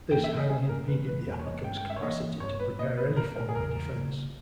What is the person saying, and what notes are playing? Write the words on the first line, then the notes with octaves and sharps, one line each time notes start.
This highly impeded the applicant's capacity to prepare any form of defense.
G2 E3 A#3 C#4 G5
E5
D#5
C#3 G3 A#3 C#4 G#4
A#4
C#3 E3 G#3 C#4 B4
B4
E2 B2 G3 A#3
C#5
D#5
G2 D#3 G#3 C#4 G5
G5
E5
C#5
G2 E3 A#3 D#5
G2 G3 B3 C#5
B4
A#2 A#3 C#4 D#5
B4
B2 G3 B3 A#4
A#4
G#4
E2 C#3 G3 A#4
C#3 G3 A#3